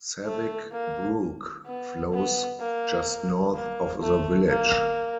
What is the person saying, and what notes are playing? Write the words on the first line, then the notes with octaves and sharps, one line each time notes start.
Savick Brook flows just north of the village.
A3
A#3
B3
B3
A#3
A#3
A3
A#3